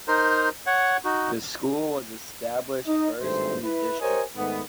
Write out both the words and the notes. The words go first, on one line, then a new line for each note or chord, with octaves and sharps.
The school was established first in the district.
D#4 A#4 C5
C#5 F#5
D#4 F#4
D#4 D#5
G#1 G2 A3 C4 C5
E4 B4
G4 A#4 C5 C#5 D#5 G#5
G#2 D#3 A3 B3